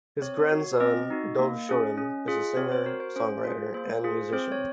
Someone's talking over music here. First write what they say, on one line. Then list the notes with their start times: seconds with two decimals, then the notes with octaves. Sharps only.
His grandson Dov Shurin is a singer-songwriter and musician.
0.21 C4 C#5
0.52 F#4
0.80 C4 D#5
1.10 D#4 F#4
1.39 A#3
1.69 C#4 G#4
1.97 C#4
2.28 F4 G#4
2.57 C4 C#5
2.72 C5
2.86 F#4 A#4
3.00 C5
3.16 C#4 C5
3.44 F4 G#4
3.74 A#3 C5
4.04 F4 G#4
4.33 C4 C5
4.52 C#5